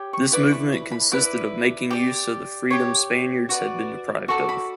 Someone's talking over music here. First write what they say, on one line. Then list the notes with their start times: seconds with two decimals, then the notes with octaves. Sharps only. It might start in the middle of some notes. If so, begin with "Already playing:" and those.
This movement consisted of making use of the freedom Spaniards had been deprived of.
Already playing: G4 C#5
0.13 C#6
0.32 E4 B4 D5 D6
0.52 C#6
0.72 B5
0.92 B5
1.12 E4 B4 D5 D6
1.91 G4 D5
2.70 G4 C#5
3.49 F#4 B4 D5
4.28 F#4 A4 D5 C#6
4.49 B5